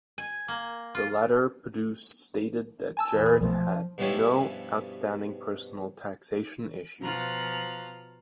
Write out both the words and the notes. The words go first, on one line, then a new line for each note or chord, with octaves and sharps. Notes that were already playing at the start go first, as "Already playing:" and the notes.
The letter produced stated that Gerard had no outstanding personal taxation issues.
G#5
A#3
F4
G#5 A5 E6
E2 A#2 E3
G#4
B1 B2 F3 A3
G2 B2 F3 G3 C#4 E4
B2 F3 F4 A#5 F#6